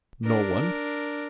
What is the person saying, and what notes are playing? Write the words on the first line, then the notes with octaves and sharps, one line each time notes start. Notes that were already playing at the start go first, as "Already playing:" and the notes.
"No one."
D4 A#4